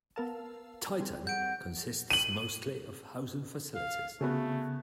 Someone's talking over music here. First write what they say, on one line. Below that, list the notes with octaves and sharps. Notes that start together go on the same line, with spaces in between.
Titan consists mostly of housing facilities.
B3 A#4 F5 A5 E6
G3 C4 G#4
F#5 G6 D7
D#7 F#7
F5
C#3 A3 B3 F#4 G#4